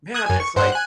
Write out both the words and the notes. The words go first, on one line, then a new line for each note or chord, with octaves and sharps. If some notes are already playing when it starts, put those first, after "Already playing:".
man, it's like
D#6 F#6 G#6
F#2 G#5
C#6
G2 C5 F#5
G#5 F#6